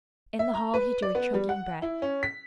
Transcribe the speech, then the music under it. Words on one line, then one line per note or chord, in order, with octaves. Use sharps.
In the hall he drew a choking breath.
E5
A#5
B4
D5
B3
G3
F#5
E4
C#4
B6